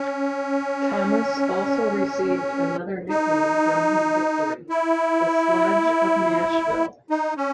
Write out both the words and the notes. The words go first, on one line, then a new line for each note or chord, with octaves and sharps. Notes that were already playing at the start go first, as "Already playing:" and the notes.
Thomas also received another nickname from his victory: "The Sledge of Nashville".
Already playing: C#4
D#4
E4
D#4
C#4